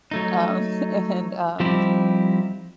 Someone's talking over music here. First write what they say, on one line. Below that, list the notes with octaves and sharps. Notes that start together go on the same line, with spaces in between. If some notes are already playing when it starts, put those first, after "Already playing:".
um, and, um,
F#3 A3 D#4
F3 G3 C4 D#4 E4 G4